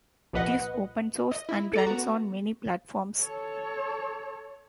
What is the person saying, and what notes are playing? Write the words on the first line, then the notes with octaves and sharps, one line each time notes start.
It is open source and runs on many platforms.
C2 A#2 F3 B4 D#5 F#5
D#5
E4
A4 D5 A#5
B3 F#4
A4 C#5